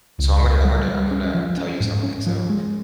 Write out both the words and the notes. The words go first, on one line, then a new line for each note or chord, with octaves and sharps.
so I'm gonna I'm gonna I'm gonna tell you something, so,
C#2
C#2
G3
G3
C#4
F3
C#4
G#2
C#4
F3
G#3